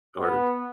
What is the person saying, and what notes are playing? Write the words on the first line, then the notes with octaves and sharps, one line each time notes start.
are g
B3